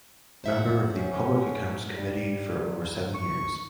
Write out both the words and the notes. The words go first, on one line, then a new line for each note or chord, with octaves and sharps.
Member of the Public Accounts Committee for over seven years.
C5 E5 F#5
C#4
G3
C#6